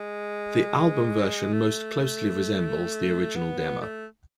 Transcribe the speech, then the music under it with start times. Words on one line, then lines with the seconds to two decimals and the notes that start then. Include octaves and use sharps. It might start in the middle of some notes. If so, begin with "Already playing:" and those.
The album version most closely resembles the original demo.
Already playing: G#3
1.53 A3
3.36 B3
3.59 B3
3.82 A3